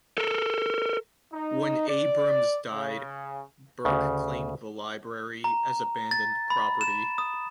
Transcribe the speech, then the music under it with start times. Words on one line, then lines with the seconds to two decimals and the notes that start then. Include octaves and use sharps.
When Abrams died, Burke claimed the library as abandoned property.
0.18 A4 A#4
1.33 D#4
1.88 D5
2.73 C#3
3.85 D2 C#3
5.44 A#5
6.11 A6
6.50 B5
6.81 E7
7.18 D#6